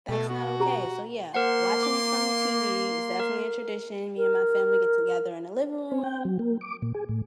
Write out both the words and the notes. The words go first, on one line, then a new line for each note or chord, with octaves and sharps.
That's not okay, so yeah, watching it from the TV is definitely a tradition, me and my family get together in the living room
B2 A3
F#4
G4 A#5
A#3 A#4 C5 F#5 C6
D6
A#4
A#4
C4
G5
F#3
A#3
D6
A#2
G#4
A2